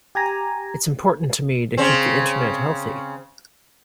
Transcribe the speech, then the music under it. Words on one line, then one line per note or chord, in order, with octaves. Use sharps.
Itâs important to me to keep the Internet healthy.
G4 G#5 A#5
C#3 C4